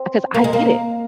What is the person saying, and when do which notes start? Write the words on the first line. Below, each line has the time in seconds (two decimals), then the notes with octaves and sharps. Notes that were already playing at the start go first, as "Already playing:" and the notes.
'cause I get it.
Already playing: C4
0.34 A#3
0.44 G#3
0.53 A#3